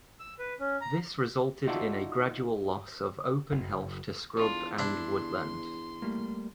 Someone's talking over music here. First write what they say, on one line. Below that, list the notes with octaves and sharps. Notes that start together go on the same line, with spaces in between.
This resulted in a gradual loss of open heath to scrub and woodland.
E6
B4
C#4
A#5
D#4 F4 F#4 D5 E5 A5
F#1
E2 D4 F4
D4 E4 C6
G3 A3 A#3